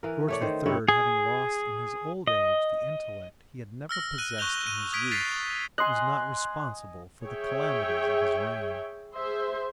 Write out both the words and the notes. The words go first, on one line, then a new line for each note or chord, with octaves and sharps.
George III., having lost in his old age the intellect he had never possessed in his youth, was not responsible for the calamities of his reign.
E3 A#4
A3 C#5 D5
D#3 C5
G2 E4 C#5
G#4
D#5
E6 F6 A#6
F#6 D#7
C#6 F#6 G6 F7 G7
D#7
D#6 G#6 B6 D7
A6 B6 C7 F7
D#5 G#5 C6 F#6
G#4 C#5 E5 G5
G#4 C5 E5